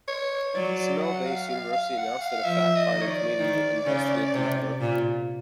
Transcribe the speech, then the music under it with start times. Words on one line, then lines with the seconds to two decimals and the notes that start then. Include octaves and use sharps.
Semmelweis University announced that a fact-finding committee would investigate the matter.
0.08 C#5
0.55 F#3 D5
0.79 D5
1.03 F#5
1.26 F5
1.50 F5
1.73 F5
1.97 F#5
2.21 F5
2.44 F3 E5
2.76 D#5
2.91 D#3
3.02 C#5
3.07 D5
3.39 D#3
3.86 C#3
4.33 C3
4.81 A#2